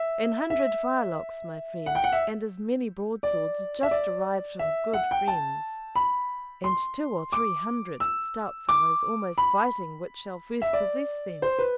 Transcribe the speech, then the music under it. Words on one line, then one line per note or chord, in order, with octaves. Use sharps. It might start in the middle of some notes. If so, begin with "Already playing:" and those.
An hundred firelocks, my friend, and as many broadswords, just arrived from good friends; and two or three hundred stout fellows almost fighting which shall first possess them.
Already playing: E5
E5
F#5
G5
F#5
E5
D5
E5
D5
E5
F#5
G5
A5
B5
C6
D6
E6
D6
B5
E5
D5
C5
B4